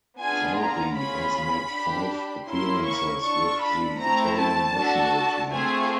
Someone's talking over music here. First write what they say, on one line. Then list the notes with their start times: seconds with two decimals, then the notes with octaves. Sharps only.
Zauri has made five appearances with the Italian national team.
0.19 B3 D4 F4 G#4 G#5
0.58 A#5
0.95 C#4 F4 G#4 B5
1.71 D4 G4
2.47 A#3 C#4 E4 C6
2.85 C#6
3.22 D4 F4 A4 C#6
3.61 B5
3.99 A3 C4 E4 A#5
4.37 A5
4.74 D4 F#4 A4
5.50 A3 C4 F4 G#4 G#5